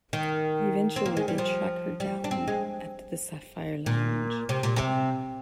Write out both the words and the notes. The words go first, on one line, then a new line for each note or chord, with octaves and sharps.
Eventually, they track her down at the Sapphire Lounge.
D#3
C4
A#3
G#3
G3
F3
G3
D4
C4
G#3
A#2
C3
A#2
C3